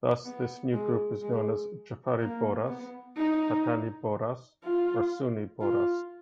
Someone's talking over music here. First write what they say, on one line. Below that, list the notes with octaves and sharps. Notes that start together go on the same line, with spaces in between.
Thus this new group is known as Jafari Bohras, Patani Bohras or Sunni Bohras.
B3
G#3
G#3
A#3
B3
D#4
F4
F4